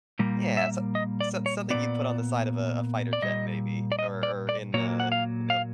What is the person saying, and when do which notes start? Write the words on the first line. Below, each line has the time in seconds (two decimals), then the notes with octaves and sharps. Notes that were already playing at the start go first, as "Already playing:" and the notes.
Yeah. So so something you put on the side of a a fighter jet maybe, or or in a, you know,
0.19 A#2 G3 A#3
0.57 E5
0.95 D#5
1.21 D5
1.46 C#5
1.70 A#2 G3 B3 D5
3.13 D5
3.22 A#2 G3 D#5
3.92 D5
3.99 D#5
4.23 D5
4.49 D5
4.74 A#2 F#3 A#3 C#5
5.00 F#5
5.12 F5
5.50 F5